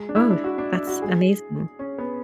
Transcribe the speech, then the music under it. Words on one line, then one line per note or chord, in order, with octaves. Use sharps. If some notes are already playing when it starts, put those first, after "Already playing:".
Oh, that's amazing.
Already playing: G#3
D4
E4
D4
F#4
D4
D4
F#4
G#4
C#4
B3